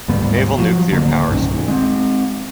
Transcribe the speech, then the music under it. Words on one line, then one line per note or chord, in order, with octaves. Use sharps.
Naval Nuclear Power School.
D2 G#2 G3 B3
F3 F#3
D1 D2 D3 A#3
B1 G2 D#3 C#4
G#3 C4